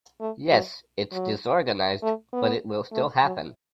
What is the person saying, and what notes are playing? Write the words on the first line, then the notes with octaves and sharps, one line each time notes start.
Yes, it’s disorganized but it will still happen.
A3
F#3
F#3
A3
B3
A3
F#3